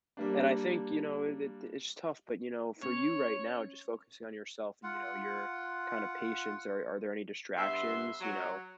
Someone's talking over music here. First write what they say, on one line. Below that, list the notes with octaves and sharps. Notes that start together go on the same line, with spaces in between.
And I think, you know, it it it's tough, but you know, for you right now, just focusing on yourself and, you know, your kind of patience, are are there any distractions, you know,
G3 A#3 D4
C#4 C#5
F4 F#5
G2 B3 E4 E5 C6
F#3